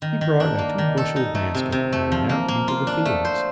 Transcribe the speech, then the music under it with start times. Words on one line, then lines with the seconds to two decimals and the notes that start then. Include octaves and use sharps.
He brought a two-bushel basket and went out into the fields.
0.02 D#3
0.21 D#3
0.40 D4
0.59 A#3
0.78 D#3
0.97 A4
1.16 D#4
1.35 A3
1.55 C3
1.72 C3
1.93 A3
2.12 F3
2.29 A#3
2.48 A#3
2.68 F4
2.87 D4
3.05 A3
3.25 C5